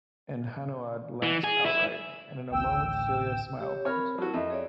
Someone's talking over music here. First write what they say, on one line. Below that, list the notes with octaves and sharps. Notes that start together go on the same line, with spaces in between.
And Hanaud laughed outright, and in a moment Celia smiled herself.
E3
G#4
E4
A1 D2 G5 E6
G4 C#5
C4 A#4 C#5 B5 F6
F#3 E4 F#4 A5
F2 D#5 E5
G#4 C#5 D5